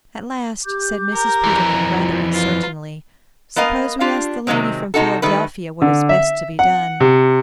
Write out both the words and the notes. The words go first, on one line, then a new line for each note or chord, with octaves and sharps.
At last said Mrs. Peterkin, rather uncertainly, "Suppose we ask the lady from Philadelphia what is best to be done."
G4 D6 G6
A#4
F2 E3
F4
F4 B4
B3 A#4 D#5 F5 G#5
D4 F4 G4 F5
C3 D#3 F#3 G#3 C4
C3 D#4 F#4 A4
D#3 G3 A3 B4
D3
E5
F#5
C3